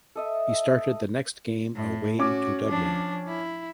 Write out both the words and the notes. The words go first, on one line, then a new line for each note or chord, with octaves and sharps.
He started the next game away to Dublin.
A4 D#5 E5
A2
C#4 F#4 D6
F3 D4
E4